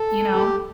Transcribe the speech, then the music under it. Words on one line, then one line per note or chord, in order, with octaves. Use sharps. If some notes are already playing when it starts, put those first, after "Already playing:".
you know?
Already playing: A4
G4